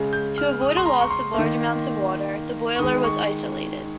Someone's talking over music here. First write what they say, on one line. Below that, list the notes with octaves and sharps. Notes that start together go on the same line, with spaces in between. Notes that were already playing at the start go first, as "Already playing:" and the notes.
To avoid a loss of large amounts of water, the boiler was isolated.
Already playing: C#3 G#3
G6
F6
D#6
C6
A#5
C#6
C6
D#3 A#3
C#6
D#3 G#3 D#6
C#6